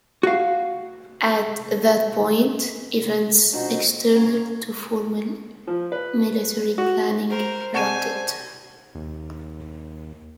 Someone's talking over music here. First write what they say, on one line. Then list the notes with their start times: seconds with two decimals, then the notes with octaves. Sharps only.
At that point, events external to formal military planning erupted.
0.23 F#4 F5
3.52 B2 F3 C4 D4 D#4 F#4
3.79 C4
4.15 A#3 C#4 A#4 C#5 F5
5.67 F3
5.92 B4
6.78 F#4
7.30 A#4 C5
7.74 C3 D5 F#5 G#5 A5 C#6 E7
8.95 D#2